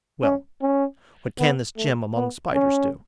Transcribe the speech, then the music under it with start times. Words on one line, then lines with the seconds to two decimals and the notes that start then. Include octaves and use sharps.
Well, what can this gem among Spiders do?
0.23 C#4
0.62 C#4
1.39 B3
1.77 A3
2.16 B3
2.54 C#4